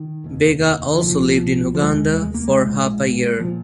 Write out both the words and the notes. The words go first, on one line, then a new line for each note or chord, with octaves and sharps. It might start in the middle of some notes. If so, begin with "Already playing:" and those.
Bega also lived in Uganda for half a year.
Already playing: D#3
F1 D#2
D#3
C2 A#2 F3
F3
F1 D#2 G#3
G#3
A#3
G#3
A#1 G#2
A#2 F3